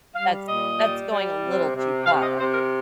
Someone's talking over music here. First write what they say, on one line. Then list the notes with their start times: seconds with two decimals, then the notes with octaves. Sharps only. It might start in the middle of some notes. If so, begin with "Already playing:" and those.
that's that's going a little too far, I think.
0.15 G3 F5
0.47 A#2 D#5
0.79 G3
1.11 G3
1.42 C3
1.74 C3
2.06 C3 F5
2.22 D#5
2.38 C3 C5
2.54 A#4